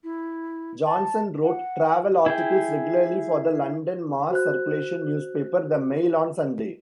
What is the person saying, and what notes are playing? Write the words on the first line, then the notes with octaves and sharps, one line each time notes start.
Johnson wrote travel articles regularly for the London mass-circulation newspaper "The Mail on Sunday".
E4
A5
F#5
E4 G#4 G5
F#4 C5 F#6